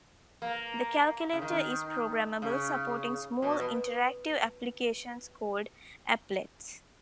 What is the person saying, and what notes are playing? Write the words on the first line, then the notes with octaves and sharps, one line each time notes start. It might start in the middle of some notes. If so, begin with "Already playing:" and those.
The calculator is programmable, supporting small, interactive applications called "aplets".
A#3
C#3
D#3
C#3
B2
B2